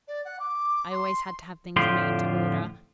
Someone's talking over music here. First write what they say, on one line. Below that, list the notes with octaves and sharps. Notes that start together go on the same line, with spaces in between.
"I always had to have things made to order."
D5
F#5
D6
C6
F2 A2 D3 F4 G4 C6